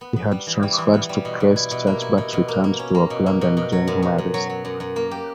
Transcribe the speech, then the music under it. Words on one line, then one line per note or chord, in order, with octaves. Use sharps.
He had transferred to Christchurch but returned to Auckland and joined Marist.
B3
B3
G3
E3
G3
E3
B3
G3
B2
B2
E4
B2
A#3
E4
B2
B2
A#3
A#3
C#4
A#3
B2
A#3
B2
B2
F#3
F#2
F#2
F#2
F#3
F#3
F#2
F#2
A#3
G4